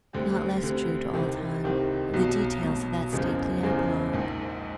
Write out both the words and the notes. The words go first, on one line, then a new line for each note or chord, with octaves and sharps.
Not less true to all time are the details of that stately apologue.
D2 D3 G3 C4
D2 D3 G3 C4
C2 C3 D#3 G3 C4
C2 C3 D#3 G3 C4
B1 B2 F#3
B1 B2 F#3
F#1 E2 C#3 F3 G#3
F#1 E2 C#3 F3 G#3
A#1 G#2 D#3